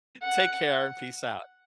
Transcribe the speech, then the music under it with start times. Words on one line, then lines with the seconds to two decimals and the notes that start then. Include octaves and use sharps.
Take care and peace out.
0.23 F#5